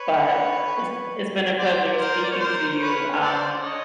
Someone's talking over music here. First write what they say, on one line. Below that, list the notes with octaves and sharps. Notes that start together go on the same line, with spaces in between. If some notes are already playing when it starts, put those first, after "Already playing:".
But, it's it's been a pleasure speaking to you. Um,
Already playing: B4 C#5
C5 D5
A#4 C5
D5
C#5
A#4 C5
B4 C#5
C5 D5
C#5 D#5